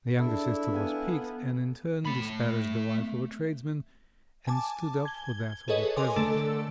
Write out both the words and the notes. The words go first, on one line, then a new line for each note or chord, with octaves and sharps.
The younger sister was piqued, and in turn disparaged the life of a tradesman, and stood up for that of a peasant.
D4 E4 A4
B3 B4 F5 G#5
A3 B5
G#5 A5 D6
G#6 G7
G#4 A4 B4 C#5 D#5
A#4 D#5 G#5 C6 D6
D3 A3 A4 E6 D7